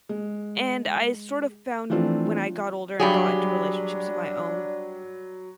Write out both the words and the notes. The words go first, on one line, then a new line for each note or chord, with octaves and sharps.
And I sort of found, when I got older and got into relationships of my own,
G#3
E3 F3 A3 C4 D4 F4
G2 F#3 D4 G4 G#4 B5